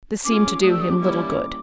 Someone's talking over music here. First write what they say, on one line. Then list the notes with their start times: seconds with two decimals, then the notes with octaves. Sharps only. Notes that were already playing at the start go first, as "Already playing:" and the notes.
This seemed to do him little good.
0.24 C#4 F4 G#4 D6
0.62 A3 D4 G4 D#6
0.71 E6
0.81 D#6
0.90 D6
0.99 G3 A#3 C#4 E4